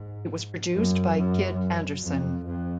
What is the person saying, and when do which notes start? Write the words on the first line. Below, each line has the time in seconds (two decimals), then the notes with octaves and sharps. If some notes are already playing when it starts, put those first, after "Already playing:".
It was produced by Kid Andersen.
Already playing: G#2
0.73 F#2
1.16 F#2
2.02 F2
2.46 F2